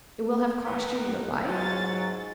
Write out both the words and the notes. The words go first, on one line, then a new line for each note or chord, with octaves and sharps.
It will have cost you your life?
D#3 B3
G#2 F#3 C#4 F4 C#5 A6